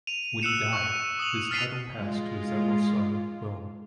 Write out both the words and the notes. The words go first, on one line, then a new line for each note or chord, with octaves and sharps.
When he died, his title passed to his eldest son Willem.
D#7 F7
E6 F#6 C#7 E7
C#6 E7
D#6 F#7
F6 A6 B6 C7 D#7 F7
G#3 F4